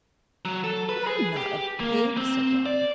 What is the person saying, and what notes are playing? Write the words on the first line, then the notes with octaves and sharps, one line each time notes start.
"But I'm not a pig," said Robin.
F#3
A4
B4
G#4
G4
A#3
C4
D5